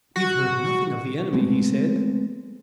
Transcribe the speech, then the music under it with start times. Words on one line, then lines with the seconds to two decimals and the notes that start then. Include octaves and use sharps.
"We have heard nothing of the enemy," he said.
0.16 F#4
1.33 G#3 A3 B3 C4